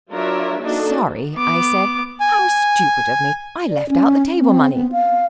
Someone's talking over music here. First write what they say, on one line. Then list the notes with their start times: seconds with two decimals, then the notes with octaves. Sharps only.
"Sorry," I said, "how stupid of me; I left out the table-money."
0.13 F#3 D4 F4 A#4 C#5 E5
0.62 A#3 D4 D#4 F#4 A4
1.35 B3 D6
2.20 G#5
3.69 D5
3.89 C#4
4.39 C4
4.75 B3
4.92 F5